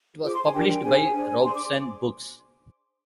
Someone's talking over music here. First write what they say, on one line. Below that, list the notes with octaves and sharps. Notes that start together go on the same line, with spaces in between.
It was published by Robson Books.
F4 G#4 C5 D6
C6
G#5
D4 G4 A#4 G5
D4 G#4 C5 G#5
D4 G#4 C5
D4 G#4 C5 C6
D6